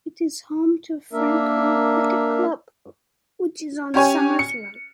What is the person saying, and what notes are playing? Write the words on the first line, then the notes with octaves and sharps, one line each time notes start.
It is home to Farncombe Cricket Club which is on Summers Road.
A#3 D4 A#4 E5
C#4 G4 C#5 G#5
C#7